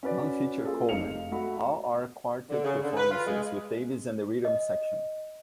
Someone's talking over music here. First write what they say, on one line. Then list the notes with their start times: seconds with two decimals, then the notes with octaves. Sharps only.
None feature Coleman; all are quartet performances with Davis and the rhythm section.
0.03 C#4 F#4 B4 D5
0.64 A#3 F4 G#4 A4
0.89 F1 D#4 F5 C#7 F7
1.32 A3 F#4 B5
2.49 D3
2.63 C#3
2.83 D3
2.97 B4
3.11 F4
3.26 G#3
4.45 D#5